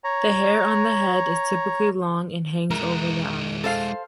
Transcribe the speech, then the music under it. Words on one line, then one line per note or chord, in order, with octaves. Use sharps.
The hair on the head is typically long and hangs over the eyes.
C#5 A#5
G#3 E4 A#4
A4 C5 F5